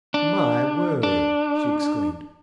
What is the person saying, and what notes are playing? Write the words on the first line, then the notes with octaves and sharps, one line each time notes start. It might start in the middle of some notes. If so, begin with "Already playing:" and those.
'My word!' she exclaimed.
D4
D4